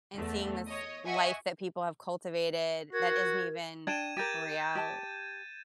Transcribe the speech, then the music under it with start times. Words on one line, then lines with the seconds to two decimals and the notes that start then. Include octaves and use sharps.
and seeing this life that people have cultivated that isn't even real
0.15 E2 A3
0.66 C#5 D#5
1.05 D#5 E5 F#5 G#5 C#6
2.93 F#4 A#4 G#6
3.87 D4 G5 G#6 D#7 E7
4.17 G4 A#4 G6 A6 D#7
4.75 G4 A5